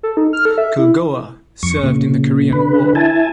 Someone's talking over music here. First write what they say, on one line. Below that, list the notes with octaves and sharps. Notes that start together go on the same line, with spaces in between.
"Culgoa" served in the Korean War.
A4
D#4
F6
A4
E5
E4
F2 C#6
A#2 C#3
D3 B4
E4 G#5 A5